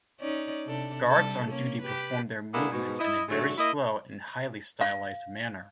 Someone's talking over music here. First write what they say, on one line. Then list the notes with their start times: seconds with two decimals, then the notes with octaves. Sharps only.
Guards on duty perform their movements in a very slow and highly stylized manner.
0.20 C#4 D#4 D5
0.66 C3 D4 A4
1.09 C3 G3 A4
1.48 A#3 C#4
1.82 G4 B4
2.53 G#3 A#3 B3 D4 E4
2.72 G#2 B2
2.99 E4 D#5
3.28 G#2 D3 F#3 A3
3.58 A#3 E4 D#5
4.81 F5